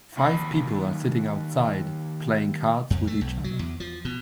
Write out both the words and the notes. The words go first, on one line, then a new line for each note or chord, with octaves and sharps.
Five people are sitting outside playing cards with each other.
D#2 B5
F2
A3
B1
F#3
E2
F3
B2